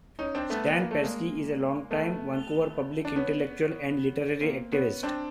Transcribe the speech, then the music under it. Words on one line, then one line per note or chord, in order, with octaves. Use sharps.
Stan Persky is a long-time Vancouver public intellectual and literary activist.
C#4 D#4
C4 D4
A3 B3
B3
A#3
A3
G#3 A#3
A3 B3
D4
B3 C#4
A#3 C4
B3 C#4
C4 D4